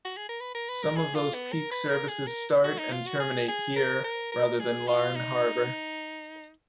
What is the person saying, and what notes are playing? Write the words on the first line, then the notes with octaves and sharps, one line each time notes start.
Some of those peak services start and terminate here rather than Larne Harbour.
F#4
G#4
A#4
B4
A#4
B4
A#4
G#4
F4
B3
A#4
B4
A#4
G#4
A#4
F#4
D#4
F4
F#4
G#4
G#4
A#4
A#4
A#4
G#4
F4
D#4